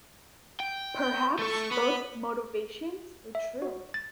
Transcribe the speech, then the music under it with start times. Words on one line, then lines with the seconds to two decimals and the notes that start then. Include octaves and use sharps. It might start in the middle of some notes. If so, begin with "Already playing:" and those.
Perhaps both motivations were true.
0.60 G5
0.98 G6
1.39 A3 A4 C#6
1.71 B3 B5
3.35 E5
3.62 F#4
3.94 A6